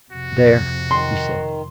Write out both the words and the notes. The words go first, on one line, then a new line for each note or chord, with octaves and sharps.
"There!" he said.
F2 C3 F#4
D#3 C6